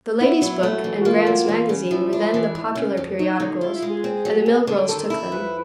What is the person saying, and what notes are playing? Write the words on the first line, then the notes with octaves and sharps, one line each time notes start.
"The Lady's Book" and "Graham's Magazine" were then the popular periodicals, and the mill-girls took them.
B3 E4
F#3
A3
E3
F#4
A#3 F4
F#3
E3
C#3
F3 E4
D4
E3
G#2
C#3
F2
F#3 D#4
D3 D#4
E4 F4
E4
G#3
G#4
C4
F#3
D2
D3
D#3 A4
E4
F2 B4